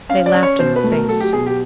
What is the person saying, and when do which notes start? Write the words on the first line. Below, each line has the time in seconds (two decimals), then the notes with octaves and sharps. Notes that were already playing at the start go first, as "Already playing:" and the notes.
They laughed in her face.
0.09 C#4 F5
0.26 D5
0.34 C#4
0.43 C#5
0.59 B2 C5
0.76 B4
0.84 A3
0.92 A#4
1.08 F#3 A4
1.20 G4
1.33 B2 G#4
1.46 G4